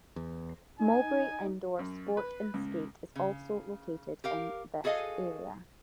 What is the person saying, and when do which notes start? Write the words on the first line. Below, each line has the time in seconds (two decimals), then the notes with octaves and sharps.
Mowbray Indoor Sport n Skate is also located in this area.
0.16 E2
0.79 D#4 G#5
1.79 F#2
2.17 B4
2.54 C#2
3.16 C#3
4.24 G4 A#4 F5
4.84 F#4 G#4 A4 D#5 F5 G#5